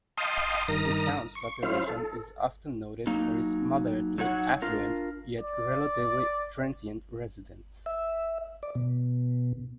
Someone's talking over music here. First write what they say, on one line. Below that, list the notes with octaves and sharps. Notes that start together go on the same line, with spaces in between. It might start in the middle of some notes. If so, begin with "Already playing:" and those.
The town's population is often noted for its moderately affluent, yet relatively transient residents.
D#5 F5 G5 A5 C6 D#6
G2 D#3 A#4 A#5 D#6 A#6
C#6
F#3 C#4 E4 F4 C5 F5
A4
F#3 A#3 D#4
F#3 D#4 C#5 F#5
D4 F4 A#4
D5
E5
D5
B2